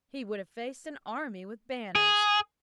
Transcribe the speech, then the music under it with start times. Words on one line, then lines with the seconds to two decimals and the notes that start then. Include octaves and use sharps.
He would have faced an army with banners.
1.95 G#4